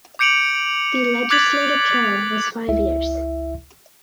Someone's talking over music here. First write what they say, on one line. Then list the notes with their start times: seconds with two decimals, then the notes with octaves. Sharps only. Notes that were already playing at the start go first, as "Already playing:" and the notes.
The legislative term was five years.
0.19 D6 G6 C#7 D7 F7 F#7
1.30 D6 F#6 G#6 A6 B6 F#7
2.67 G1 C#2 E4 E5